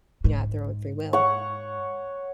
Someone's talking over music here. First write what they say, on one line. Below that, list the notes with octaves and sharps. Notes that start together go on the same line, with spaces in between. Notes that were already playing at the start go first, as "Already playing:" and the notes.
you know, at their own free will,
G#2
C#5 F#5